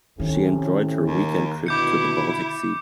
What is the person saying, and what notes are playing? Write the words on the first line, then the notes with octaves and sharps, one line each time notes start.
She enjoyed her weekend trip to the Baltic sea.
A2 C3 D#3 C#4
D#2
B2 D3 E4 D6 G6 C#7